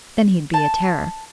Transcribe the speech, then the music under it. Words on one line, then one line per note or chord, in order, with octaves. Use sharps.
Then he'd be a terror.
A5